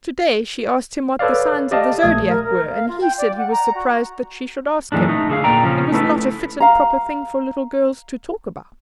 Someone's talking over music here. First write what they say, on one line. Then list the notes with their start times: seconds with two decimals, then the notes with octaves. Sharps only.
Today she asked him what the signs of the Zodiac were, and he said he was surprised that she should ask him; it was not a fit and proper thing for little girls to talk about.
1.19 A4 B4 C#5 D5 F5
1.71 G4 D5 D#5 F5 A5
2.02 A#1 A3 D#6 G#6
2.27 A#4
2.43 A#4
2.72 F5
2.88 F4
3.01 G5
3.18 D5
3.38 F#5
3.51 A#5
3.75 F#4
4.92 F#2 A#2 D3 E3 G#3 D4
5.08 A3 D#4
5.30 D3 G#4 F5
5.44 A#2 D5 G5 A#5
5.63 C#3 F3 C#4
5.92 A3 D#4 E4 A4 B4
6.60 F5 A#5